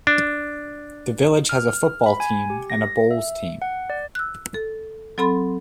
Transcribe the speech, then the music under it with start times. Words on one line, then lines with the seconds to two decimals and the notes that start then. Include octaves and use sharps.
The village has a football team and a bowls team.
0.07 D4
1.49 F6
2.06 B5
2.20 G#5
2.50 G4
2.70 A#6
3.11 E5
3.62 F#5
3.90 D5
4.15 E6 F#6
4.54 A4
5.18 F#3 C4 A4 B5 C6